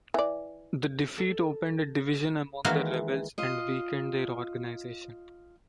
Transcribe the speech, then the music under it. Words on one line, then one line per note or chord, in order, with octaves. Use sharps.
The defeat opened a division among the rebels and weakened their organization.
E3 D5
A4
D#3 E3 G#3 A#3 F#4 F5
F4 D#5